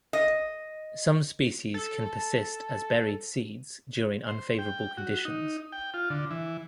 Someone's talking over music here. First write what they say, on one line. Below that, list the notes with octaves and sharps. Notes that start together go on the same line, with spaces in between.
Some species can persist as buried seeds during unfavorable conditions.
D#5
A4
C5
G5
F#4
D#4
G5
F4
D3
E3